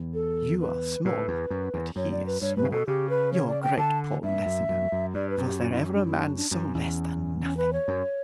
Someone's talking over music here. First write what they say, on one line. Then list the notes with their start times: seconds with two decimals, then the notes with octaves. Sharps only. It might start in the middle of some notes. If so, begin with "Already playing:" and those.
You are small, but he is smaller,--your great Paul Lessingham!--Was there ever a man so less than nothing?'
Already playing: E2
0.14 A4
0.60 B4
1.05 A2 B4
1.28 E2
1.50 F#2
1.74 E2
1.96 F#2 C#5
2.12 D5
2.27 B4
2.42 G2 C#5
2.57 G2 B4
2.65 C#3
2.72 B2 A4
2.87 C#3 G4
3.10 B4
3.33 C#5
3.48 D5
3.63 G5
3.78 D3 A5
4.23 G2 E5
4.46 F#2
4.69 F#2
4.92 F#2
5.14 G2 D5
5.30 B4
5.38 F#2
5.45 G4
5.60 F#4
5.72 E4
5.83 C#4
5.94 D4
6.05 E4
6.21 D4
6.36 D4
6.51 F#2 C#4
6.75 E2
7.42 C#4
7.57 B4
7.73 C#5
7.88 F#2